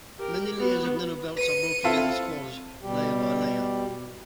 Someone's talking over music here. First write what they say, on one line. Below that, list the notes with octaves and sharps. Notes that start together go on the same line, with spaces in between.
Many layers of nanobelts are rolled together as coils, layer-by-layer.
G4 A#4
B3 F#4
B4 C#7 D#7
C4 E4 F4 A4
B2 G3 G4